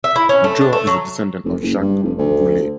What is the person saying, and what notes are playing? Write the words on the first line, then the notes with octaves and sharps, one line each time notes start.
Joe is a descendant of Jacques Goulet.
E5
E4
C#4
A3
D4
A3
F#3
F1
F#1
G2
F1
D2